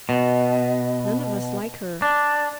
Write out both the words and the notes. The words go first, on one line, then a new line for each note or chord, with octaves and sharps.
"None of us like her."
B2
D4